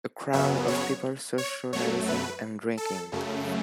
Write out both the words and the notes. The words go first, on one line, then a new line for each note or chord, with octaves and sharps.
A crowd of people socializing and drinking.
F#2 C#3 F#3 B3 E5
C#5
C#5
F#2 F#3 A3 C#5
B4
A4
F#2 C#3 A3